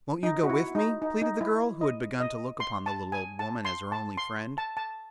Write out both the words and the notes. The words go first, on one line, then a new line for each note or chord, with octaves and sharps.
"Won't you go with me?" pleaded the girl, who had begun to look upon the little old woman as her only friend.
D#4
F#4
E4
D#4
D#4
D#4
E4
D#5
D#5
C6
A5
G#5
A5
C6
A5
C6
A5
A5